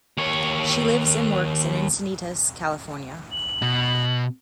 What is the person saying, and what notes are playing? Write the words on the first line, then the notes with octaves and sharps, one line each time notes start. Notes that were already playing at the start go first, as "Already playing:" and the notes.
She lives and works in Encinitas, California.
D#2 C#5
F#7
B2